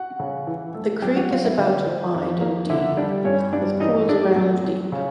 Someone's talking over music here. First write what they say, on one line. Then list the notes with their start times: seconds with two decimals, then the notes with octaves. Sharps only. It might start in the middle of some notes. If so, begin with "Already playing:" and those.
The creek is about wide and deep with pools around deep.
Already playing: F#4 F#5
0.20 C#3
0.47 E3
0.74 A3
1.02 F#2 G4 G5
1.16 F#4 F#5
1.31 F#2 F4 F5
1.45 E4 E5
1.58 D3 F4 F5
1.86 F3
2.15 F2
2.41 A#3
2.69 D3 E4 E5
2.97 G3 D4 D5
3.25 G2 C#4 C#5
3.53 G2 D4 D5
3.80 E3 D#4 D#5
4.08 A3 D4 D5
4.36 F#2
4.64 F#2
4.92 C#3